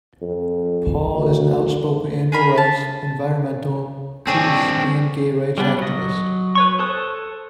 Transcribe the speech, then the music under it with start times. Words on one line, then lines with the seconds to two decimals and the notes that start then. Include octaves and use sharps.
Paul is an outspoken animal rights, environmental, peace and gay rights activist.
0.22 F2
1.14 D2
2.32 G#4 A#4 B5
2.58 A5
4.27 C4 D4 G4 G#4 C#5
5.58 G3 B3 D4
5.78 F#3 D#5
6.55 B4 C#5 C#6
6.79 A4 C5 A5 D#6 F#6